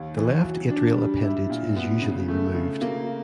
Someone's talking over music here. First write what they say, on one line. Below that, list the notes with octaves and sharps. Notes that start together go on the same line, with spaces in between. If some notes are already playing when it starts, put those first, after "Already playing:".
The left atrial appendage is usually removed.
Already playing: D#2
E3
F#3
D4
G3
E4
A#2
B3
C#3
A3
C#3
A#3